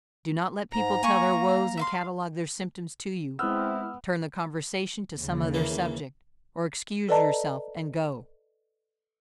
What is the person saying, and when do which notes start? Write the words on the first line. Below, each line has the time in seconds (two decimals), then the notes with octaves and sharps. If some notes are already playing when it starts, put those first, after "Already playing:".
Do not let people tell their woes and catalogue their symptoms to you; turn the conversation to some other subject, or excuse yourself and go.
0.72 G#2 A#5
1.03 A#3 G#5 C#6
1.77 E5 F5 C6
3.39 G#3 B3 C4 E4 E6 F6
5.17 D#2 C#3
5.54 E3 A#3
7.08 A4 B4 D5 D#5 A5 A#5